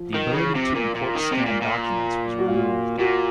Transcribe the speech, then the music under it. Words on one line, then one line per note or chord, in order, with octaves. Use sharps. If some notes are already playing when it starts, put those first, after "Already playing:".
The ability to import scanned documents was removed.
Already playing: F3
D#3
C#3
C3
A#2
A#2
D#3
C3
A#2
A#2
F#4
F4
F#4
A#2 F#4